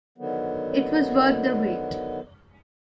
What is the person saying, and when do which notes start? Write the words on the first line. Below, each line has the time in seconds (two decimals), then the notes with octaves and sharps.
It was worth the wait.
0.18 D3 D#3 F#3 B3